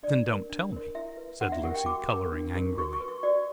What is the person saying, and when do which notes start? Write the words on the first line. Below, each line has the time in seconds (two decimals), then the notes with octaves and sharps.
"Then don't tell me," said Lucy, coloring angrily.
0.03 D4 D5
0.26 A#4 C#5
0.50 D4
0.72 A#4 C#5
0.95 E4 E5
1.17 B4
1.41 D4 F#5
1.52 E5
1.63 G4 A#4 C#5 F#5
1.74 G5
1.86 F#4 D6
2.09 A#4 C#5
2.32 D4
2.55 G4 A#4 C#5
2.77 F#4 C#6
2.93 C#6
3.00 B4
3.08 C#6
3.23 F#4 D5